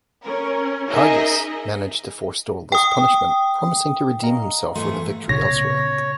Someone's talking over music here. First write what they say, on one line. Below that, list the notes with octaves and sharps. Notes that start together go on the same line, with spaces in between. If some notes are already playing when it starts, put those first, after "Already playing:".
Agis managed to forestall this punishment, promising to redeem himself with a victory elsewhere.
C#4 A#4
D#4 G#4 A#4 D#5 E5
G5 D#6
D#5 F5 A#5
G#2 E3 A3 C6
A#2 C#3 B3 C#5 A#6